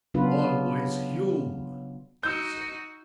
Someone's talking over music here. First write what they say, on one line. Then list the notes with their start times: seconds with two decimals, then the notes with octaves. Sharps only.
"Always Hume," he said.
0.14 C#3 F#3 B3 D4 F4 B4
2.23 D#4 F#4 E6 G6